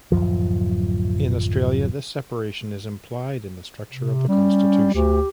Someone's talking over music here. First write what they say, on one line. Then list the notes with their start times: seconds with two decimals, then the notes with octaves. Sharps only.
In Australia, this separation is implied in the structure of the Constitution.
0.12 D1 G#1 F#2 F3
3.92 C3
4.28 G3 C#4
4.94 D2 G4